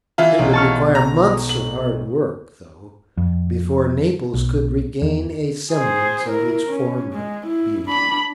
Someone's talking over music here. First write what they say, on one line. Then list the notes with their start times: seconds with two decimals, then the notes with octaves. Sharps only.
It would require months of hard work, though, before Naples could regain a semblance of its former beauty.
0.18 E3 E4 F4
0.39 B1
0.53 A5 C#6 F6
0.95 A#5
1.49 F#7
3.17 F2
4.34 B1
5.02 E2
5.72 G#4 C5
6.29 E4 A#4
6.69 C#4
7.13 G#3
7.47 E4
7.88 D4 B5